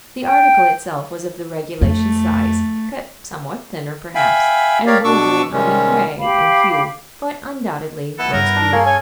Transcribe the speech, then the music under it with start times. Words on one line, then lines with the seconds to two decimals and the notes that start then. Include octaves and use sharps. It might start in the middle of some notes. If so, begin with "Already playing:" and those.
The article itself was of the regulation size, cut somewhat thinner, perhaps, and bordering on the gray in hue, but undoubtedly roast beef.
0.23 G5
1.81 F2 A3
4.15 E5 F5 G5 G#5 B5
4.86 G4 A#4 C#5 D5 F5
5.04 B2 D4 C#6 D6 E6
5.52 C3 D#3 G3 G#3 C#4
6.18 G4 F5 B5
8.18 B3 E4 A4 B4
8.33 G2 G3 A#4
8.56 D4
8.72 A#3 G#4 A4 C#5
8.85 C#4 G#5